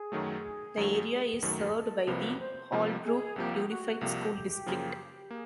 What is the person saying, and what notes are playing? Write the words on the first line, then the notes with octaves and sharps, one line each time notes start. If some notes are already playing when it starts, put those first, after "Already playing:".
The area is served by the Holbrook Unified School District.
Already playing: G#4
F#2 D#3 F#3 A3
F#2 D#3 F#3 A3
F#2 D#3 F#3 A3 A4
A4
C2 C3 F3 A#3 B4
C5
C2 C3 F3 A#3
G#4
C2 C3 F3 A#3 G4
F#4
C2 C3 F3 A#3 G4
F#2 C#3 F3 A#3
A#3 G#4